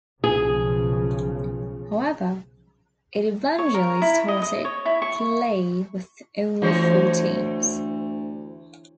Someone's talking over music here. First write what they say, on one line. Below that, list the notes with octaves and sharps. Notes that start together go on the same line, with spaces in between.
However, it eventually started play with only four teams.
B1 C#3 F3 G#4
C#5
A#4
E4
D#5
D#5
C#5
E4
C#6
D2 E3 C5 C#5